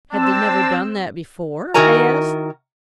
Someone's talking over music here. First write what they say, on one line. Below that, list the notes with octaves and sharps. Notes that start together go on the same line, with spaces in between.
"Had they never done that before?" I asked.
C4 D4 A5 E6
D#3 E4 F#4 A#4 G#5 A#5